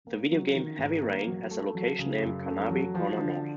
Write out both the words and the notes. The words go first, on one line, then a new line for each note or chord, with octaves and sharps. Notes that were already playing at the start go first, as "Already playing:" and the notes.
The video game "Heavy Rain" has a location named Carnaby Corner North.
A#3
F#3
D#3
G#2
A#3
F#3
A3
F#3
C#3
F#2
A3
F#3
F3
D3